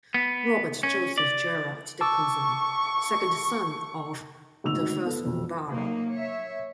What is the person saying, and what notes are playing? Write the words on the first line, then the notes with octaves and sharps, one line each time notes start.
Robert Joseph Gerard-Dicconson, second son of the first Baron.
B3
C#4
D5
A5 C#6 D6 E6
G#1 D2 D#4 E6 F7
B3 A4
E1 F2
F#3 A#3 D#4
C#5 E5